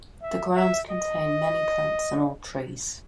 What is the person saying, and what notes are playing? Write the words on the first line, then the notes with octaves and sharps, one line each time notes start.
The grounds contain many plants and old trees.
E5
E5
D#5